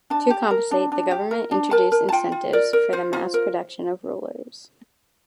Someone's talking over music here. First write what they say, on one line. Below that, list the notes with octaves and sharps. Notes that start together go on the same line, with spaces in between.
To compensate, the government introduced incentives for the mass-production of rulers.
D4 A5
G4
A#4
D4
D4
G4
A#4
D4
A#4 A5
A#4
A5
F4 G5
F4
A#4 D5
A#4
F4 C5
F4
A#4